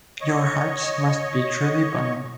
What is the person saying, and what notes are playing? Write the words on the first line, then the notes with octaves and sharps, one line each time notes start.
Your hearts must be truly burning.
C#5 D#5 C#6